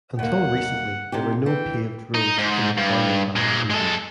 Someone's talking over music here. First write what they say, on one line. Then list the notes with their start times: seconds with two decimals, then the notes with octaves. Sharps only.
Until recently there were no paved roads in this Barmal Valley region.
0.19 D#2 A#3 F#5
1.12 C3 D#4 G4
1.46 E3 G5
2.14 D#4
2.38 G#2
2.78 G2
3.36 A#2 G#3
3.70 G#3 A4